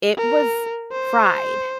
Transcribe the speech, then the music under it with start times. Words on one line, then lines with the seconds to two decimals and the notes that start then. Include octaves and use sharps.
it was fried.
0.17 A#4
0.92 C5